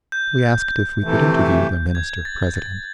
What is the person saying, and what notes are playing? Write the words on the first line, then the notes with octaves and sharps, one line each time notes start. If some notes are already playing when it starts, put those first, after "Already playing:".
We asked if we could interview the Minister-president.
G6
C3 E3 A3
G6
G#6
A6
A6